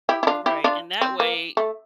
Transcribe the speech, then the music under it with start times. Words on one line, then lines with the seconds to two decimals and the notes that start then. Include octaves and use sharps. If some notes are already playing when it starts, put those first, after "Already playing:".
Right, and that way,
0.09 E4 G4
0.23 E4
0.27 D4 F4
0.46 E4 G4
0.64 D4 F4
1.01 C4
1.20 A#3
1.57 A3